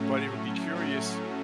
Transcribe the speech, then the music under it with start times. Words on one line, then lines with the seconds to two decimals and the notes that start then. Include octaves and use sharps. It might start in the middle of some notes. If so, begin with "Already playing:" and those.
but it would be curious
Already playing: A2 F#3 A3 C#4
0.32 A2
0.76 F#3 A3 C#4